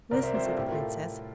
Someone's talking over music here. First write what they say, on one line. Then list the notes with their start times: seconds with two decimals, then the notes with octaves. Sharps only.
'Listen!' said the Princess.
0.11 C2 A#4 D5
0.23 C5 E5
0.34 C3 G3 C5 E5
0.46 F4 A4
0.57 A2 E4 G4
0.68 A#4
0.72 F4 A4